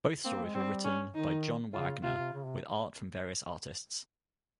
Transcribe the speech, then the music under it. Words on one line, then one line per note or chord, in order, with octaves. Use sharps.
Both stories were written by John Wagner with art from various artists.
A#3 C4
A#3
G#3
G3 C4
C#4
D#3 D#4
C#3 F4
C3 F4
C3
C#3
C3